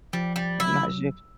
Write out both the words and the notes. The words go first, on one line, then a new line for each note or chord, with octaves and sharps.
I'm not sure
F3 G3
G3
F#3 E4